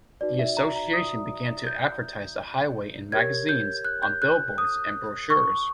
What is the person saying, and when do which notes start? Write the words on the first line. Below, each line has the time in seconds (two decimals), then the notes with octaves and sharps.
The association began to advertise the highway in magazines, on billboards, and brochures.
0.21 D#4 F#4 B4 D5
0.39 E5
0.57 A#5
0.76 A#5
0.93 D#6
1.66 G6
3.12 G4 A#4 C#5 G#6
3.49 G6
3.85 F#6
4.03 G6
4.22 F#6
4.58 D#6
5.30 C#6